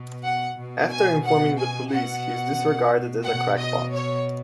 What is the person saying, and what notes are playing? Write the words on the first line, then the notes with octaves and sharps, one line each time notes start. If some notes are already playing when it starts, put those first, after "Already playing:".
After informing the police, he is disregarded as a crackpot.
Already playing: B2
F#5
B2
G#5
F#5
G#5
B2 F#5
B2 F#5
D#5
C#5